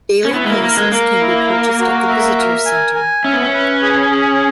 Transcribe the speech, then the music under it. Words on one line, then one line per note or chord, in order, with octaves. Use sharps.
Daily passes can be purchased at the visitors center.
C#4
B3 E4
G#3
A#3
A#3 A#4
G#3
A#3 A#4
E4
A#4
F#4
E5
A#4
G#5
G#5
C#4 E5
B3
C#4
B4
G#4
G#4